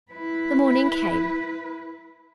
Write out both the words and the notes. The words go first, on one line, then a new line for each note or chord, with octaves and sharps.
The morning came.
E4 B4